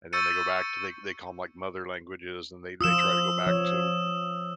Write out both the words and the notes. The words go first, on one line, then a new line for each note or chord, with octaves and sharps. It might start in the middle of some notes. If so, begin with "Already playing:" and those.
And then, they go back to they they call 'em, like, "mother languages," and they they try to go back to w
C#6 E6 G6 A6 C#7 D#7
F3 F4 D#6 E6 E7
F3 C#5